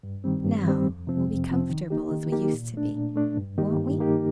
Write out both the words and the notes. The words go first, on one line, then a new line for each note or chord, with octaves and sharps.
"Now we'll be comfortable as we used to be: won't we?"
G2
D#3 G3 C4
G2
D#3 G3 C4
F2
C3 F3 C4
F2
C3 F3 C4
D#3
A#3 D#4 G4
D#3
A#3 D#4 G4
A#2
A3 D4
A#2
A3 D4
G2
D#3 A#3 D#4 G4
G2
D#3 A#3 D#4 G4